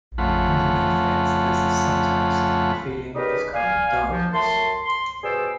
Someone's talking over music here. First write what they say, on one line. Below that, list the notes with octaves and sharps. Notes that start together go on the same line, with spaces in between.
Underneath it, there's this subtext and feeling of this kind of darkness.
F2 C#3 A3 F4 F#5 B5
C#3 G3 D#4 G4 A#4 B4
D5 F5 G#5
D#2 F3
F#2 A3 A5 C6
C6
B2 G3 G#4 C5 D5 E6